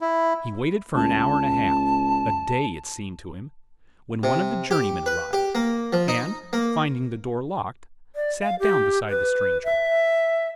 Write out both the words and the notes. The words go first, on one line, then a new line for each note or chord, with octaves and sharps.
He waited for an hour and a half,--a day, it seemed to him,--when one of the journey-men arrived, and, finding the door locked, sat down beside the stranger.
E4
C#2 A5
C3
G4
B4
G4
A#3
F3
D#4
A#3
D5
F5
G4
B4
E5